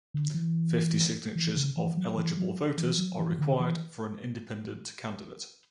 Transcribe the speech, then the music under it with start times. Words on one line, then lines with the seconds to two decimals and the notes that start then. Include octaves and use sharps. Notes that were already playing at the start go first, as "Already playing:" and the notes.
Fifty signatures of eligible voters are required for an independent candidate.
0.14 D3
0.34 E3
1.36 E3
1.57 C#3
1.77 E3
1.97 F#3
2.17 E3
2.37 F#3
2.78 E3
2.98 F#3
3.19 E3
3.39 D3
3.59 E3